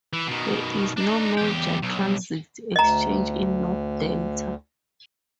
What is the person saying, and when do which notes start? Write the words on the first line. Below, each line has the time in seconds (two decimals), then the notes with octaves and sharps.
There is no major transit exchange in North Delta.
0.13 E3
0.27 B2 D#3
0.97 D4 D#4
1.37 E2 G4
1.83 B1
2.76 D2 D#5 A#5